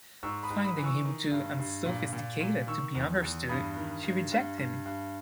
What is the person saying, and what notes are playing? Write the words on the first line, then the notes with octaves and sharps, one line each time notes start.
Finding him too unsophisticated to be understood, she reject him.
G#2 C#6 E6
B5 D#6
G#2
B5 D#6
E3
C#6 E6
D#3
G2
G2
A#2
A#2
A#2
D#3 C#6 E6
E2
E2
G2 B5 D#6
D#3
G2
G2
G2
G2